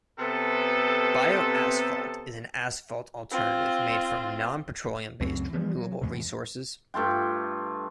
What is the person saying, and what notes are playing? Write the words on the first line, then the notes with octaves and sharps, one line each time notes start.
Bioasphalt is an asphalt alternative made from non-petroleum based renewable resources.
C3 B3 A4
C4 F4
C#2 F#2 A3 C4
E3 F3 B3
F#3
E2 A2 C3
G2 A3 F4 G5